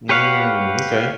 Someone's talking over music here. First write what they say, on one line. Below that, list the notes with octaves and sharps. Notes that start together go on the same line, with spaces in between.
Mm, okay.
G4 B4 C#5 F5 F#5